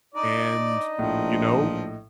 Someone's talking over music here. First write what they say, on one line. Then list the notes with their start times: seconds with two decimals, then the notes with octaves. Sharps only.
and, you know
0.15 D4 D#4 D5 D#5
0.99 A#1 A2 F3